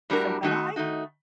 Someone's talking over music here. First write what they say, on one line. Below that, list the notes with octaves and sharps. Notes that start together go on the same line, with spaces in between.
So, what I
A2 G3 D4 F#4 A#4
D#3 A3 D#4 F#4
D#3 A3 D#4 F#4